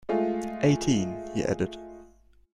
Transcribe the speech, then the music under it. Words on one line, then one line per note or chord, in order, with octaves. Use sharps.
Eighteen, he added.
G#3 A3 F4